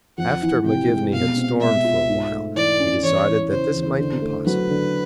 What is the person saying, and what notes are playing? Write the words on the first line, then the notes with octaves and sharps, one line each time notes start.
After McGivney had stormed for a while, he decided that this might be possible.
F2 F#5
E3
C3 G5
G#3
B2 F5
C4
G#3 E5
F4
G#2
A3
E3 D5
C#4
E2 C#5
E3
C#3 C5
E2
D3 C5
A3
F#3 B4
D3